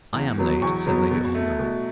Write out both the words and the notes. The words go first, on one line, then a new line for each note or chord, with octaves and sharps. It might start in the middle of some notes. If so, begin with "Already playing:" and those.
"I am late," said Lady Ongar.
E2
B2 F#3 B3
E2 C#6
B2 F#3 B3
B2
A3
B2